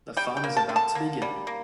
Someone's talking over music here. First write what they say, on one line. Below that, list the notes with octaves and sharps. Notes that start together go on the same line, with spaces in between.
The fun is about to begin.
G3 G5
G5
A#3
A5
D3
A5
A#3
G3
A#3